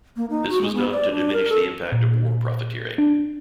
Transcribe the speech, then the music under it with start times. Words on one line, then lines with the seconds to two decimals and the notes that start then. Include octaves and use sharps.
This was done to diminish the impact of war profiteering.
0.16 A#3
0.30 D#4
0.49 F#4
0.61 G#3
0.73 B3
0.92 D5
1.11 D4
1.33 A#4
1.49 A4
1.92 A#2
2.98 D4